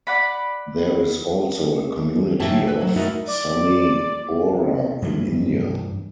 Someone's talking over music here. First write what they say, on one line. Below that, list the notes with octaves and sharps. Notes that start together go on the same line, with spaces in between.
There is also a community of Sunni Bohra in India.
D5 F#5 B5
D#2 A2 E3 F#3 E5 A5
B4 E5
F#3
A3 D#4 E4 F#4 A#4
D5
G2 E3 F3